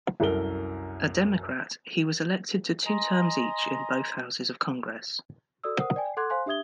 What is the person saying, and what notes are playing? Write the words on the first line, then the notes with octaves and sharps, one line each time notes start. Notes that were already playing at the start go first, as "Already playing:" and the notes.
A Democrat, he was elected to two terms each in both houses of Congress.
C2 F#2 A4 A#4 G7
D#5 G#5 A#5 C6
F#4 A4 D5 D#6 E6
A#4 C5 F#5 D#6
D5 G5 G#5
A4 F#5 C6 D6 F#6 G#6
C5 F5 G#5 C6 F#6
D4 G4 E5 D#6 G#6 G7